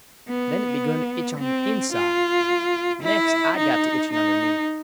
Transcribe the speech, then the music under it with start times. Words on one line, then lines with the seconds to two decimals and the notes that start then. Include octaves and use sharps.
Then it begun to itch on the inside. Next I got to itching underneath.
0.29 B3
1.39 C4
1.93 F4
3.02 E4
3.58 D#4
4.13 D#4